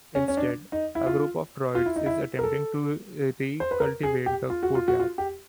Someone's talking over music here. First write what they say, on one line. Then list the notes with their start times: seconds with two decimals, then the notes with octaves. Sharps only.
Instead, a group of druids is attempting to recultivate the courtyard.
0.15 C#4
0.28 C#4
0.37 D4
0.72 D#4
0.95 E4
1.07 F4
1.75 F4
1.86 E4
1.96 D#4
2.06 E4
2.39 A#4
2.43 A4
3.60 C5
3.71 B4
3.80 A#4
4.03 G#4
4.26 G4
4.50 F4
4.63 F#4
4.75 F4
4.88 F#4
5.00 F4
5.18 G4